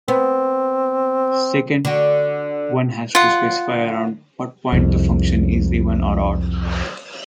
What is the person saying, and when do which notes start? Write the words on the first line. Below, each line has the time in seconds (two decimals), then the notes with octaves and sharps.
Second, one has to specify around "what point" the function is even or odd.
0.08 B3 C4
1.85 D3 F#4
3.15 F4 F#5
4.72 C2 F2